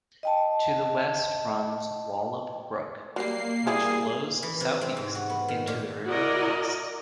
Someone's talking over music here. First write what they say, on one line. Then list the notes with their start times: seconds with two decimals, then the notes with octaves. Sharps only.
To the west runs Wallop Brook which flows south east into the River Test.
0.23 D#5 G5 A5
3.16 F#3 G3 A#3 C7
3.67 G3 E4 G4 G#4
4.43 E3
4.60 C3
4.81 C4
4.97 G#2
5.15 F#4
5.29 B3
5.48 D#3
5.67 A#2
6.07 E4 F#4 A#4 D5 D#5